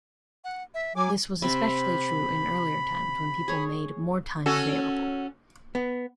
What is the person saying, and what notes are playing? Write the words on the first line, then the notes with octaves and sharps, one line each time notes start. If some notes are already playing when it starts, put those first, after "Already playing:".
This was especially true in earlier times, when people made more time available.
F#5
E5
F#3 G#5 D6
C3 C4 E5 B5
G#4 C#5
C#4 F#4 A4
B3